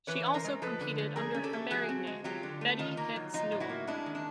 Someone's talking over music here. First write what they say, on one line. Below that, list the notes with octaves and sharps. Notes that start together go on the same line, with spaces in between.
She also competed under her married name, Betty Hicks Newell.
E3 B4 C#5
C#4
A#4 C5
G#3
F3 A4 B4
D3
A3
F3 G#4 A#4
C#4
G4 A4
A3
F3 F#4 G#4
C4
G#3
F#3 F4 G4
D3
A3
D#3 D#4 F4
A#3
F#3
F3 D#4 F4
A2
E4 F#4
A#3
G#3 D4 E4
D#3
D4